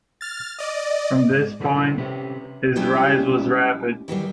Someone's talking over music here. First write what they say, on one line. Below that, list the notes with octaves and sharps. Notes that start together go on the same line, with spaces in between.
From this point, his rise was rapid.
F6 A6
D5 D#5
G#2
F#2 D3 F3 B4
C3 G3 E4
C3 C#4 B4
F3 G3 G#3 C#4 E4 G4
D#3 E3 F#3 G3